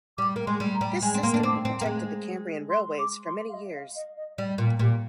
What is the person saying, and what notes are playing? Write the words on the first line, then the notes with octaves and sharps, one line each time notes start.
This system had protected the Cambrian Railways for many years.
G3 D6
A#3
G#3 C6
G3
A#5
G3
G#3 G#5
C4
A#3 C6
D4
C4 D6
C4
A#3
G#3
C6
D6
C6
F5
D#5
F5
D#5
D#5
G3 D5
A#2 F4
A#2 G4